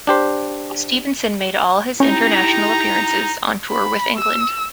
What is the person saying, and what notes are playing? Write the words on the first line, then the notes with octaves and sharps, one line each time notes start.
Stevenson made all his international appearances on tour with England.
D4 G4 C5
C#4 D#4 E4 G4 A#5
B5
E6